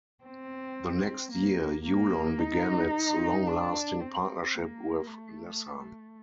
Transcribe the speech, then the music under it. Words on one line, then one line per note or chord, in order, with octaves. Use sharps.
The next year Yulon began its long-lasting partnership with Nissan.
C4
A#3
A#3
D#4
D4
C4
A#3
A3